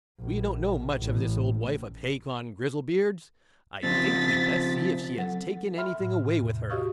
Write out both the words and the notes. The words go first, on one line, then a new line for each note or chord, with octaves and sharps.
'We don't know much of this old wife of Hacon Grizzlebeard's, I think we'd best see if she has taken anything away with her.'
A#1
A1
C#3 F3 C4 A6 B6
F#3 A4 F#5
E5 G5 B5 C6 F6
A2
E2 C3
F#4 G4 D#5 F5 C#6 D#6